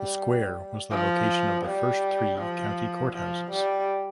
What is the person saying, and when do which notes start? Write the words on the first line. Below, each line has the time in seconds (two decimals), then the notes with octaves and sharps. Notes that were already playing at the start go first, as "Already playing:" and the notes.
The square was the location of the first three county courthouses.
Already playing: G3
0.91 F3
1.65 G3
2.39 F3
3.13 F3
3.51 G3